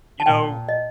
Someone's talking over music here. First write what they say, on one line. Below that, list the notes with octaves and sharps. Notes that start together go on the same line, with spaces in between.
you know
A5
A#2 G5
D#5